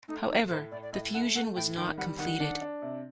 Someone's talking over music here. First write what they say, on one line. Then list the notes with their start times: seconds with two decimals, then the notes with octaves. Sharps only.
However, the fusion was not completed.
0.08 A3 D#4
0.29 A3 D#4
0.50 A2 C5
0.71 A2 D5
0.83 D5
0.93 A2 D#5
1.14 A3 F#5
1.35 A3 F#5
1.56 A2 G5
1.77 D#3 G5
1.98 G3 F#5
2.18 D#3 F#5
2.40 D4
2.61 D4
2.82 C3